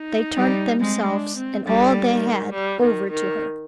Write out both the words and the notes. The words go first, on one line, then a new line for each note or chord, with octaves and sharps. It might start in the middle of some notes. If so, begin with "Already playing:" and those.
They turned themselves and all they had over to her.
Already playing: D#4
G3
G#3 C4
D4
C4
D3 G3
D#3
G3
D#3
D#3